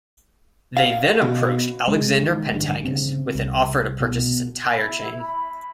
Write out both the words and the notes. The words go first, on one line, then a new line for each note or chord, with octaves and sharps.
They then approached Alexander Pantages with an offer to purchase his entire chain.
F5
B2
G#3
D#3
A1 G2 D3
C#3 C4
C2
B2 B3
E4
B5